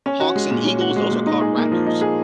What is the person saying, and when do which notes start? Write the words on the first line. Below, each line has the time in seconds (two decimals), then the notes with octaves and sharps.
hawks and eagles, those are called raptors.
0.06 C#4
0.20 F#4
0.35 G#3
0.51 A#2
0.66 C#4
0.81 F#4
0.96 G#3
1.11 A#2
1.26 D#4
1.41 G#4
1.57 A#3
1.71 F3
1.86 D#4
2.01 G#4